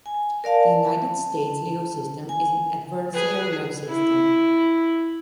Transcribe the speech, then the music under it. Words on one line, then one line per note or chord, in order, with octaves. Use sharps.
The United States legal system is an adversarial system.
G#5
A#4 D5 F5 A5
A5
G#5
G#4 B4
E4